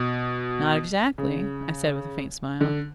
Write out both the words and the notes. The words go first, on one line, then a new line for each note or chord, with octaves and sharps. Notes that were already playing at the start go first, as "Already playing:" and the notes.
"Not exactly," I said with a faint smile.
Already playing: B2
C#3
D3